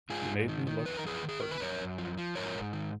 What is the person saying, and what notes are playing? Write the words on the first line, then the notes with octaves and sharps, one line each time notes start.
He made me look ordinary.
G#2 F4 G#4
G#2
D#3
D#3
F2 B4
A#4
F2 G#4 B4
D#3
G#4
D#3 A#4
B4
F#2 A#4 C#5
F#2
F3
F3
G#2 A#4 C#5
G#2
D#3